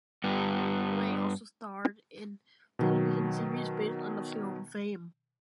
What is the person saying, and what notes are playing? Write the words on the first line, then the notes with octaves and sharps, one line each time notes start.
Ray also starred in television series based on the film, "Fame".
G2 B3
B2 D#3 F#3